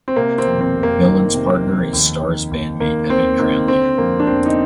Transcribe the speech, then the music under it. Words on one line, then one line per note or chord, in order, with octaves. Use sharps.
Millan's partner is Stars bandmate Evan Cranley.
C4
C3 A#3
C4
F2
C4
F1
A#3
D#3
C3
F2
D#2
D#3
D#2
D#3 A#3
D#2 C4
D#3 A#3
D3 C4
F2 A#3
D4
F1 C4
D#4